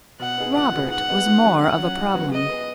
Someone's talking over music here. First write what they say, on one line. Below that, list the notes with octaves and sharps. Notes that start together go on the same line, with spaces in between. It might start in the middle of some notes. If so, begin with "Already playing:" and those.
Robert was more of a problem.
B2 F#5
B3 D#4 G#4
C#2 F#5
B2 B3 G#4
G#2 F#5
G#3 B3 D#4
G#2
D#3 F#3 C#4
F#2 F#5
F#3 C#4
G#1
F#2 F#3 B3 F#4
C#3 D#5
B3 G#4